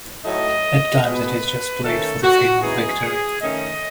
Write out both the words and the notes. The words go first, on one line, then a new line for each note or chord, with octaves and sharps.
At times it is just played for the fame of victory.
A2 F#3 A3 D#4 D#5
B2 G#3 B3 B4
D#3 A3 C#4 A4
F#4
F#2 E3 B3 D#4 G#4
D#3 A3 C#4 D#5